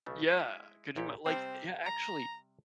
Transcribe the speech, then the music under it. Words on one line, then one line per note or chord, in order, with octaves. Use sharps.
Yeah. Could you ma like, yeah, actually
B1 C#3 A3
G#3 E4 D#5
A#1 A#2 G4
C3 G3 C4
A#5